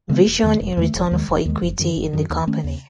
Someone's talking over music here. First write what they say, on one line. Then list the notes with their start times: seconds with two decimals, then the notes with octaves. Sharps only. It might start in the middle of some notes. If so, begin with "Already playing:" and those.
Vision, in return for equity in the company.
0.09 C#3 G#3 B3
0.26 E1
0.43 E2 D#3 A3
0.61 E1
0.77 E2 D#3 A3
0.95 E1
1.11 D#2 D#3 G#3
1.28 E1
1.45 D#2 D#3 G#3
1.62 F#1
1.79 F#2 D#3
1.96 F#1
2.13 F#2 D#3
2.30 D#2
2.47 D#3 A3 C#4
2.64 D#2